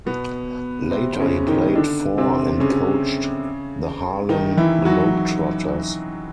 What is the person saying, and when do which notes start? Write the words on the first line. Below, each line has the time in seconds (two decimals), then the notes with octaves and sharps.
Later he played for and coached the Harlem Globetrotters.
0.06 B2 B3
0.91 C3 C4
1.19 C#3 C#4
1.47 D#3 D#4
1.75 D3 D4
2.18 C3 C4
2.60 C#3 C#4
4.29 D#3 D#4
4.57 E3 E4
4.85 F#3 F#4